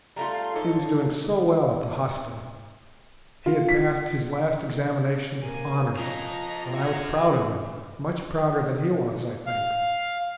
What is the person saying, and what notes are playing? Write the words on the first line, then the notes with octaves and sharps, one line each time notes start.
He was doing so well at the hospital, he had passed his last examination with honours, and I was proud of them, much prouder than he was, I think.
G3 A3 F4 A#5
F5
G#2 D#4 A4 C#5
F4
B6
C3 A#3 G#5
F2 F3 D#5 A#5
C#4 F#4
F5